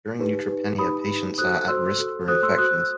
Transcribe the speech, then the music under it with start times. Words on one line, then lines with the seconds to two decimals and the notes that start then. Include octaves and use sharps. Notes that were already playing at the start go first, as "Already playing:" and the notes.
During neutropenia, patients are at risk for infections.
0.19 D#4 G4 B4
0.49 D#4 G4 B4
0.79 D#4 G4 B4 B5 D#6
1.08 D#4 G4 B4
1.38 F#4 A4 C5 D#6 F#6
1.68 F#4 A4 C5 C6 E6
1.99 F#4 A4 C5
2.28 F#4 A4 C5 D#6 F#6
2.43 C6 E6
2.58 F#4 C5 D#6 F#6